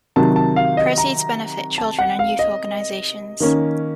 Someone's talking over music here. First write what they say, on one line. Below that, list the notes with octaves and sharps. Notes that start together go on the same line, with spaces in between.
Proceeds benefit children and youth organizations.
C3 D#3 F#3 A5
A5
F5
D#5
A#5
A5
F#5
F5
D#5
D#3 A#3 C#4